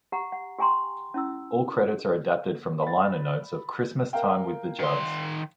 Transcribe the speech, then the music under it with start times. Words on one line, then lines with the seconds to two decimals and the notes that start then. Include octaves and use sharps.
All credits are adapted from the liner notes of "Christmas Time with The Judds".
0.12 G4 F#5 A#5
0.32 F#5
0.58 G4 G5 G#5 A#5 C6
1.14 C#4 E4 E6
2.83 B5 A6
4.13 A#4 F5 G5
4.80 D#3 C6